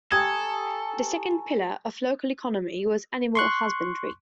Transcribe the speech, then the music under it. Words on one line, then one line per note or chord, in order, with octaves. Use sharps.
The second pillar of local economy was animal husbandry.
G4 A4 G5 G#5 A#5 C#6 D#6 G#6
C6 C#6 F#6